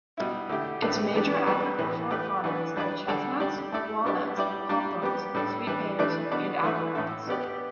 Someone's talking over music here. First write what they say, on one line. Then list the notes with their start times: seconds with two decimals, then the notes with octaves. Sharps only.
Its major agricultural products are chestnuts, walnuts, hawthorns, sweet pears, and apricots.
0.18 B2 G3 E4
0.49 D3 A3 E4 G4
0.82 A2 A3 D4 G4 B4
1.13 E3 B3 D4 G4 B4
1.47 B2 G3 B3 D4 B4
1.78 A2 E3 B3
2.10 A3 G4 B4 D5
2.44 E3 B3 D4 B4
2.76 G3 D4 B4 D5
3.08 D3 G3 D4 A4 D5
3.40 G3 D4 G4 D5
3.72 A3 E4 A4 D5
4.05 B2 B3 D4 G4
4.37 G3 E4 G4 D5
4.69 G3 D4 G4
5.02 G3 B3 G4
5.34 A2 G3 D4 A4
5.67 E3 G3 D4 B4
5.99 E3 A3 D4 B4 D5
6.31 B2 B3 D4 B4 D5
6.63 E3 A3 E4 B4
6.95 A2 A3 E4 A4
7.27 B2 B3 G4 D5